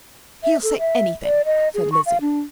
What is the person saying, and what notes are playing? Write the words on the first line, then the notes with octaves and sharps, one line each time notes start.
"He'll say anything," said Lizzie.
E5
A4
E5
D5
D#5
G#4
C#6
F5
D4